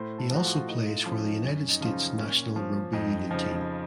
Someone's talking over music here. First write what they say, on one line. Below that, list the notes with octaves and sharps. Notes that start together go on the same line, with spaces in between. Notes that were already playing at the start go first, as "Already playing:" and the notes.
He also plays for the United States national rugby union team.
Already playing: A2 C5
A4
F3 F#4
F4
A2 D#4
F4
D#4
F3 C#4
D#4
F#2 C#4
D#4
C#3 F3 F4
D#4
A#2 C#4
F3
F2 D#4
C#3 F3 D#4